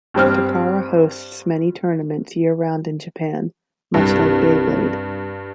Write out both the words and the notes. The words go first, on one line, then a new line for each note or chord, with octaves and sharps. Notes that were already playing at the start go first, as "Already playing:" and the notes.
Takara hosts many tournaments year round in Japan, much like Beyblade.
G2 G3 C4 F6
C2 G2